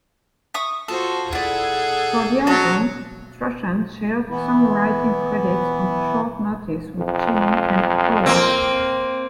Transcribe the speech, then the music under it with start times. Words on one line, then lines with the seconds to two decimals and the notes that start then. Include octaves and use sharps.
For the album, Strachan shared songwriting credits on "Short Notice" with Cheney and Owen.
0.54 E5 C#6 D#6
0.88 F4 F#4 A4 C5
1.32 E4 G#4 A4 D5 F#5
2.47 F#3 D5 D#5 A5
4.29 E3 B3 E4
6.98 F2
8.26 A#3 C4